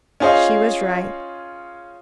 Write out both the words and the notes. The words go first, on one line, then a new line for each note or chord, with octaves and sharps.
She was right.
C#4 F4 G#4 C5 D#5 F5